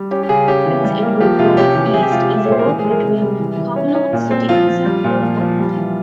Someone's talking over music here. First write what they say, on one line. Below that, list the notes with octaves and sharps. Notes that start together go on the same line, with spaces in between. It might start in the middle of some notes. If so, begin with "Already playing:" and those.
Prince Edward Road East is a road between Kowloon City and San Po Kong.
Already playing: G3
C#4 G4
G4
C#3 G#4
C#4 G4
E3
G3
A#3
F3 G4
C3 F4
C#4 G4
E3 G4
G4
C3 G#4
G4
G#3 F4
G4
G#3
E5
C#5
A#2 C5
A#4
E3 G#4
G#4
G#3
A#4
C3
G3
E3
E3
C#4
C#4
A#2
C4
F3 F4
F3
G3
A#2
F3
F3
G3
E3